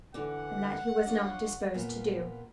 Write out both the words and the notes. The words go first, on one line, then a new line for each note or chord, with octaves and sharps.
And that he was not disposed to do.
D3 E3 F#5
D4 F4 C#5
A#2 B3 F4